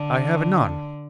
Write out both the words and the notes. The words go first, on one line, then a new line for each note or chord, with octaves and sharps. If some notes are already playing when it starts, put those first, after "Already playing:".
"I have none."
Already playing: D3